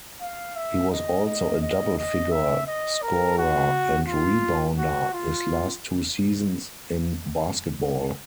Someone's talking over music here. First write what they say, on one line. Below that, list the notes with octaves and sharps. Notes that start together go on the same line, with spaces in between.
He was also a double-figure scorer and rebounder his last two seasons in basketball.
F5
E5
D#5
D#5
D#5
D#5
E5
D#5
A#4
F#4
F4
F#4
F4